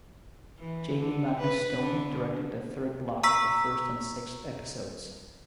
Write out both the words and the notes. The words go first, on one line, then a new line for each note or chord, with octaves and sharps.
Jamie Magnus Stone directed the third block of the first and sixth episodes.
E3
D3
B4
D3
A#5 C#6 E6 B6